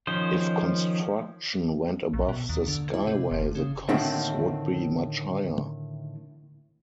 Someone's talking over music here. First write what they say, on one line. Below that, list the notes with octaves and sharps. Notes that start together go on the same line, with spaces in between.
If construction went above the Skyway, the costs would be much higher.
D#3 F3 C#4 C5
A#1
B2
D#2
D3
E4
C3
F#1
C#3
A2 D3 D#3 C4